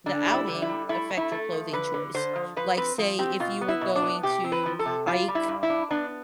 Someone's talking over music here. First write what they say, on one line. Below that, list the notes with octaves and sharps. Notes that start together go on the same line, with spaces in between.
the outing affect your clothing choice? Like, say, if you were going to hike,
D3 D4
G3
E4
D3
E4
G3
A3 E4
A3
E4
A3
F3
D3 B4
D3
D3 C5
F3
F3 B4
C4 B4
F3
C4 G4
B2 F4
B3
E4
B2
D4
B3
C3 G4
C4
B4
F3
A4
C3
G3 F4
G3
E4
G2
E4
D4
B3 D4